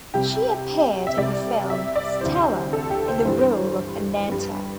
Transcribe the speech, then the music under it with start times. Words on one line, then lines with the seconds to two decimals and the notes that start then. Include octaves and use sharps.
She appeared in the film "Stella" in the role of Anetta.
0.14 C2 C3 G3 G4
1.07 E5
1.17 C2 C3 G3 D5
1.70 E5
1.96 D5
2.21 D2 C3 E3 C5
2.73 A4
2.90 G4
3.08 C5
3.25 G2 E3 G3 C5
4.29 G2 G3